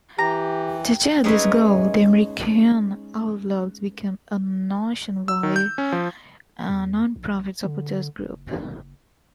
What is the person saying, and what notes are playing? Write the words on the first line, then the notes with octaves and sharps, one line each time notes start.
To achieve this goal the American Outlaws became a nationwide, non-profit, supporters' group.
E3 G4 A#5
G#3 C#4 D#4 G#4 B4 E5
E6
D#3
G6
C#4
F3
E2
A#1
D3
F#1